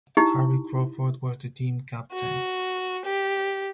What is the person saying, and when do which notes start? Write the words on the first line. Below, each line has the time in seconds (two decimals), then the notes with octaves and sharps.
Harry Crawford was the team captain.
0.17 D#4 E4 G4
2.12 F#4
3.04 G4